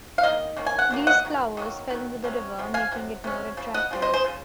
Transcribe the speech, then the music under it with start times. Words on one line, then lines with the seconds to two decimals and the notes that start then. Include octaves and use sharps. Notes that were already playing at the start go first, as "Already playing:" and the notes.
These flowers fell into the river making it more attractive.
0.18 F5
0.23 D#3 A#3 D#5
0.57 D#3 A#3 C#4
0.67 G#5
0.79 F#5
0.91 D#3 F#3 A#3
1.07 D#5 F#5
1.25 D#3 F#3
1.57 D#3 F#3 A#3
1.90 D#3 F#3
2.24 C3 F#3 C#4
2.58 C3 F#3
2.74 F5 G#5
2.91 C3 F#3
3.24 C3 F#3 C#4
3.57 C#3 F3
3.74 D#5 F#5
3.91 C#3 F3 C4
4.02 C5 D#5
4.13 G#4 C5
4.24 C#3 F3